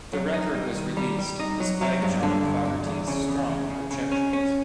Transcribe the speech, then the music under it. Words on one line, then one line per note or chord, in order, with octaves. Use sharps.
The record was released despite John Fogerty's strong objections.
F#3
D#4
G3
D#3
G3
G3
D#4
F#3
F#3
G2
D3
G2
G2
E2
C#3
E2
C#3
C#3
C#3
C#4
C#4